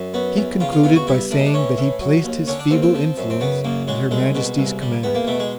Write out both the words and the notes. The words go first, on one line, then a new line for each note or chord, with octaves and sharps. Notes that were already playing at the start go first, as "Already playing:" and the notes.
He concluded by saying that he placed his feeble influence at her majesty's command.
Already playing: F#2
F#3 B3
E2
C#3 F4
F4
E2 F4
F#4
G3 E4
A2 D4
D#4
D4
E3 C#4
A2
F#3
D#2
D3 C#4
D4
D#2 C4
C4
F3
F#2
C4
C#3 B3
F#2 A#3
F#3 G#3
C2 G#3
B2
C2
G3
E2 B3
A#3
B2 A3
G#3